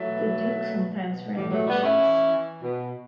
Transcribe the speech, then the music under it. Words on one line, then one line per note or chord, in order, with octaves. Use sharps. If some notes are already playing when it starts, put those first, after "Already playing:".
The duke sometimes rented ships.
Already playing: E3 F#3 A3
B2
B2
B2
B2
A2 G3
F#3 A3
A2 G3 B3
C#4 E4
E3
E3
B2